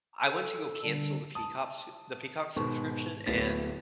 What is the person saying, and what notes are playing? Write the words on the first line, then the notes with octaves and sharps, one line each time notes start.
I went to go cancel the Peacops the Peacock subscription, and
A4
D3 G3 D4
A5 D#6
G#2 B2 D#3 C#6
D1 A2 B3 A6